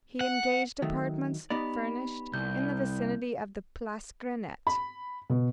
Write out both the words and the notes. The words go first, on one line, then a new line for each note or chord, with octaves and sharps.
He engaged apartments, furnished, in the vicinity of the Place Grenette.
F#5
D#3 F#3 A3
B3 D#4 G4 D5 B5
C2 G6
B5
B2